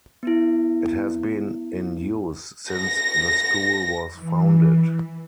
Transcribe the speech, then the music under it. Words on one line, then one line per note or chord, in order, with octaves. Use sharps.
It has been in use since the school was founded.
B3 E4
A#6
E3